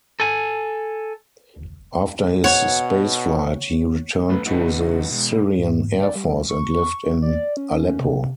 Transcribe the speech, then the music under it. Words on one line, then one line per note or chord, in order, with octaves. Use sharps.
After his spaceflight, he returned to the Syrian Air Force and lived in Aleppo.
A4 G#5
B2 C#5 F#5
A3 B4
C#3 B3 D#4 F#4
B2 G#3
G#2
D5
G3
C#6
D5
C#4
C3